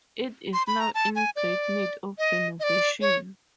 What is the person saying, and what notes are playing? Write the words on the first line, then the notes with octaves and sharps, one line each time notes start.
It is now in great need of renovation.
C6
B5
A#5
A5
G#5
D5
D#5
D#5
D5
C#5